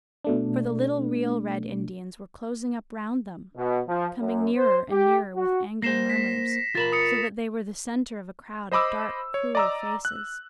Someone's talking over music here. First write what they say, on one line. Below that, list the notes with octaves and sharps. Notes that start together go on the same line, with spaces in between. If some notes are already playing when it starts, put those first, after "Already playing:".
For the little real Red Indians were closing up round them - coming nearer and nearer with angry murmurs - so that they were the centre of a crowd of dark, cruel faces.
B2 A3 D4
B2
F3
F#2
C5
G4
F#4
A#3 C5 A#6 C7 E7
B6
F4 A#4 B5 A6 E7
D#6 C#7
C5 D#5 B5 D6 E6
C#5
D5 D#5 A#5 D6 E6
F#6